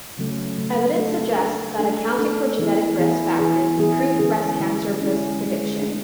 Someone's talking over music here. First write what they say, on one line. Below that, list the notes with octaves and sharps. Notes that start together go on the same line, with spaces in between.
Evidence suggests that accounting for genetic risk factors improve breast cancer risk prediction.
C#3 F#3 A3 C#4
C#3 F#3 A3 C#4
A3 D4 A4
A3 D4 A4
A3 D4 A4
A3 D4 A4
E3 B3 E4 G#4
E3 B3 E4 G#4
E3 B3 E4 G#4
E3 B3 E4 G#4
D3 G#3 C#4 E4 G#4
D3 G#3 C#4 E4 G#4
D3 G#3 C#4 E4 G#4
D3 G#3 C#4 E4 G#4
A3 D4 G#4